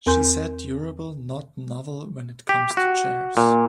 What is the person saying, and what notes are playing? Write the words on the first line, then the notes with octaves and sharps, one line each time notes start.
She said durable not novel when it comes to chairs.
E2 C4 A#4 G#5 C6 G6
G4
F#4
A#2